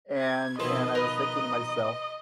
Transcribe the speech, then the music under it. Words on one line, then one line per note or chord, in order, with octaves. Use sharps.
And and, I was thinking to myself,
G#6
B2 D#3 F3 C4 E4 D#5
A#4 B4